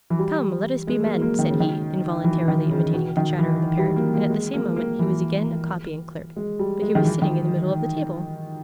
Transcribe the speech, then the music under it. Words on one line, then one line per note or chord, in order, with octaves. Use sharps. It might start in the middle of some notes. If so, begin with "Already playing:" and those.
"Come, let us be men!" said he, involuntarily imitating the chatter of the Parrot, and at the same moment he was again a copying-clerk; but he was sitting in the middle of the table.
E3
G3
G#3
A#3
A#3
D#3
C#3
D#3
E3
D#3
C#3
B2
D#3
E3
G3
A#3
A#3
G#3
A#3
A#3
E3
G#3
G3
G#3
D#3
E3
D#3